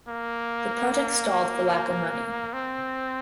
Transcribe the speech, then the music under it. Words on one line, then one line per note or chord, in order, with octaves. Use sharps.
The project stalled for lack of money.
A#3
C4